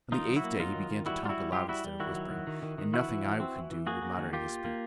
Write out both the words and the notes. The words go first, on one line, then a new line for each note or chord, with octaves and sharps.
On the eighth day he began to talk aloud instead of whispering, and nothing I could do would moderate his speech.
D#3 D#4 F4
F#3
E4 F#4
A#3
F#3 D#4 F4
D#3
D#3
G3 E4 F#4
G3 F4
E4 F#4
G3
G3 F4 G4
G3 E4 F#4
G3
D#3 E4 F#4
F#3
D#3
D#3
D#3
D#3
E3 E4 F#4
E3
E3
C4
E3
E3
A#3 F#4 G#4
A#3
D#3
A#3 F4 G4
A#3
A#3